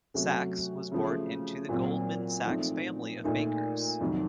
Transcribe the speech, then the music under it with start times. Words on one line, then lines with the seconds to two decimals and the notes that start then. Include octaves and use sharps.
Sachs was born into the Goldman-Sachs family of bankers.
0.14 C3 F#3 A3 C#4 F#4
0.92 C#3 F3 A3
1.69 A#2 F#3 C4 F4
2.46 F3 A3 C4 D#4
3.24 A#2 A3 D#4
4.01 F2 C3 D#3 F#3